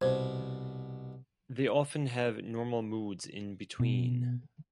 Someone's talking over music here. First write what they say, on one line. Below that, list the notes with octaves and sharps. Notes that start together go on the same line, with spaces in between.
They often have normal moods in between.
C2 B2 C5
B2